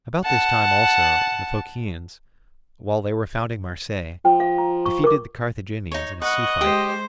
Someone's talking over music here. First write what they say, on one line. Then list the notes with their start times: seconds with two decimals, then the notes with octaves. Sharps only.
About this time also the Phocaeans, while they were founding Marseilles, defeated the Carthaginians in a sea-fight.
0.24 F#5 A5
4.25 F3 G5
4.40 F5
4.58 A#5
4.86 C#6
5.04 A#4 D6
5.92 D#4 C#5
6.22 B4 D#5 F#5 C#6
6.61 G#3 G4 C5 D#6